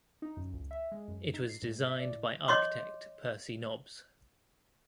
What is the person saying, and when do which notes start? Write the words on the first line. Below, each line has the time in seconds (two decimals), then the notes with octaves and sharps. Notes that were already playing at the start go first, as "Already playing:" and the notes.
It was designed by architect Percy Nobbs.
0.22 D#4
0.37 F#2
0.53 C#2
0.71 E5
0.92 G#3
1.08 F#2
1.34 D#4
1.49 C7
1.62 G#2
1.86 E5
2.00 D5
2.12 A2
2.48 C#5 D#5 C6 D6